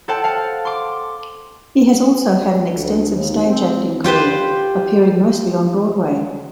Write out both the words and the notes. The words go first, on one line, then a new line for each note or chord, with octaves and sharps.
He has also had an extensive stage acting career, appearing mostly on Broadway.
A4 C5 F#5 G5 A5
F5 F#5 A5
C6 D6
D2
D#2
C4
F4 G4 B4 C5